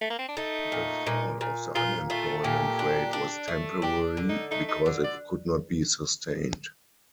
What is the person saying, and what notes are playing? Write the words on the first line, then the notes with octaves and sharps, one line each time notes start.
The fall of the unemployment rate was temporary because it could not be sustained.
A3
A#3
C4
D4
A3 D#4
A#2
A#2
A#2
A#2 F4
A3 F4
A#2 G4
D4
D4
A3
D4 G4
D3
D#4
A3 D#4
D#4
D3
D5